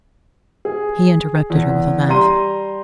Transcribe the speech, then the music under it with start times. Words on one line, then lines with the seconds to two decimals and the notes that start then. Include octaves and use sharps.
He interrupted her with a laugh.
0.65 G#4
1.50 E2
2.09 G3 A#5 C6 D#7